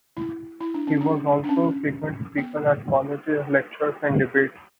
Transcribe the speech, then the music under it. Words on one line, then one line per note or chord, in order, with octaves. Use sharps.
He was also a frequent speaker at colleges, lectures, and debates.
E4
E4
D4
C#4
D4
D4
C#4
B3